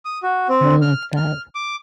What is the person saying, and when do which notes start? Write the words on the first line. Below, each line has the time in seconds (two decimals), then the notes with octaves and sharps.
Little of that.
0.05 D#6
0.23 F#4
0.49 C4
0.82 F6
1.17 F6
1.55 D6